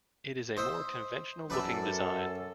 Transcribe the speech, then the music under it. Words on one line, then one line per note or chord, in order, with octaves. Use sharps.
It is a more conventional looking design.
C5 D#5 E5
F#2 A4 B4 D5 E5